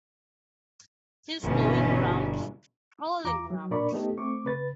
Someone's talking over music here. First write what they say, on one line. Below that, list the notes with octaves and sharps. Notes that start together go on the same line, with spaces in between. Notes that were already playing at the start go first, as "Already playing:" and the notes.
He's going round — prowling round.
G1 B2 E3 C#4
E2 F4 A#5 D6
F#3
A#2 D4 A#4 D5 B5 C#6
A3 B3 D#4 G4 A4
A3 C4 C#6 D6
C#3 B4 A6